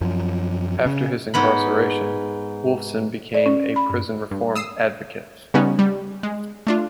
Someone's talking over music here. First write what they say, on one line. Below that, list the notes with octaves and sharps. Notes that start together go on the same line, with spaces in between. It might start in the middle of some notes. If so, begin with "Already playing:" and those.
After his incarceration, Wolfson became a prison-reform advocate.
F#2 F3
C#3
G#2 B3 B5
D5
C#4
B5
G2
G2
D#6 E6 C7
C#3 G3 B3 C#4 D#4 F#4
G3
G#3
A3 D4 F4